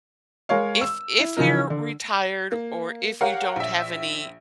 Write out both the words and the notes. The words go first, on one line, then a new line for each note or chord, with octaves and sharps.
If if you're retired or if you don't have any
G#3 A#4 C#5 F5
E6
E4
C#3 E3 F3 D#4 A#4
D3
A#3
G4 A#4 C#5 F5 F#5
A#1 E5